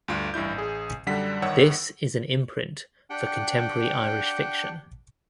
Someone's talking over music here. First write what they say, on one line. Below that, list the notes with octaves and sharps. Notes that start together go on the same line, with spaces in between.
This is an imprint for contemporary Irish fiction.
D2 G2 F4 D7
A1 G2 E4 G6
A1 G#4
F#2 D3 G3 F#5 B6
G1 D#3 C#5 F#5 E6
D4 G4 F#5 G5